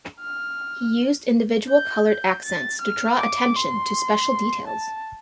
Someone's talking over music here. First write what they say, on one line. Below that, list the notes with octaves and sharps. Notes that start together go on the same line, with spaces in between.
He used individual coloured accents to draw attention to special details.
F6
G6
G6
A6
F6
D6
C6
A5